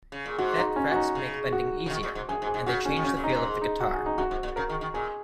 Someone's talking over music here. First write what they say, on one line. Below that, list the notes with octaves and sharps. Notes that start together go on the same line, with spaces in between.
Fat frets make bending easier, and they change the feel of the guitar.
C#3
A#2
G#2 F#4
D#4
C#4
F#4
D#4
C#3
F#4
C#3
D#3
A#2
G#2
F#2 G#4
G#2
G#4
G#2
C#3 F#4
C#4
D#3
C#3 C#4
A#2
D#4
G#2
D#4
F#4
G#4
D#4
F#2 F#4
G#2
A#2
C#3 A#4
D#3
D#3
A#2 G#4